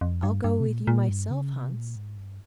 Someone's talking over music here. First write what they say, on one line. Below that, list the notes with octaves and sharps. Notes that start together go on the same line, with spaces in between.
'I'll go with you myself, Hans.'
F2
G2
G2
C3
A#2
A#2
G2
C#3
C3
A#2
G#2
G2